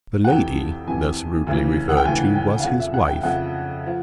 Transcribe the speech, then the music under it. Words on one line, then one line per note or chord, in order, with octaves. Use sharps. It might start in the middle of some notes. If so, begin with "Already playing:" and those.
The lady, thus rudely referred to, was his wife.
F#5
F2 C3 E3 G5
F2 C3 E3 G#5
D2 C#3 E3
F#5
G5
D2 C#3 E3 G#5
G5
F5
F2 C#3 F3 F#5
E5
F#5
G5
F2 C#3 F3 F#5
F3